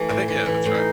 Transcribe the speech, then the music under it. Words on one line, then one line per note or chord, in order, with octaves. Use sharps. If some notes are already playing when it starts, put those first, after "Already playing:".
I think yeah, that's right.
Already playing: E3 A3
A2
E3
E3
A2
D#4